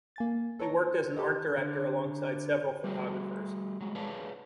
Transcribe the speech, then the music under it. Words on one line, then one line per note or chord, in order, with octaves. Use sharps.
He worked as an art director alongside several photographers.
A#3 G#5 A6
A4 B4 C#5 A5 A#5
G4 A4 D#5
D3
G3 A3 F#4 G#4
F#3 G#3
G#4 B4 C#5 D5 F5 A5